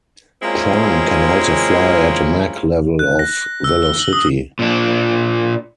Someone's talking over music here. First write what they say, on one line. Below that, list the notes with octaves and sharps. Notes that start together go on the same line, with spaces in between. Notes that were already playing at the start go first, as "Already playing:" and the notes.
Prime can also fly at Mach-level of velocity.
G#3 A#3 C4 C#4 E4 F4
F#6
A#6
E6
G7
F#7
D#6
A#2 D4